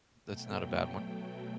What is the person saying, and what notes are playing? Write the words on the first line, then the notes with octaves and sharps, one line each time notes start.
That's not a bad one.
B2 F#3 A3 G5